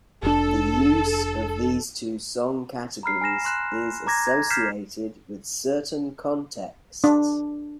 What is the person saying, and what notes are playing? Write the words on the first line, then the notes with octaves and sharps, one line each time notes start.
The use of these two song categories is associated with certain contexts.
F1 D4 A4
A#5 B5 F6 C7
G#5 F6 A#6 E7
C6 F#6 E7
A#5 D6 G#6 A#6
G#6 A#6
F6 G6 G#6 B6 C7 E7
D4